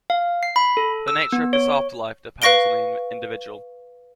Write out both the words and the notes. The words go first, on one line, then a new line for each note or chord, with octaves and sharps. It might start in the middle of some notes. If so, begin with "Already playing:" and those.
The nature of this afterlife depends on the individual.
F5
C7
B5
A4
E6
B3
C#5
B4 F5 C#6 A#6 D7 G7